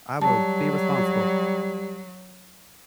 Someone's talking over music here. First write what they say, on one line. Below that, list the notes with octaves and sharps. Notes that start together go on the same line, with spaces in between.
I will be responsible,"
F#3 G3 A5